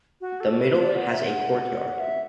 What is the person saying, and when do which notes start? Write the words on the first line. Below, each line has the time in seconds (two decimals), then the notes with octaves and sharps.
The middle has a courtyard.
0.21 F#4
0.40 A4
0.60 B4
0.81 D5
0.96 F#5
1.10 E5
1.25 F#5
2.00 E5